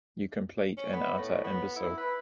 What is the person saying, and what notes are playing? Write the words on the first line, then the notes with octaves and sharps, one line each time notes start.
You complete and utter imbecile.
C#4
B3
A2
B3
E4
B4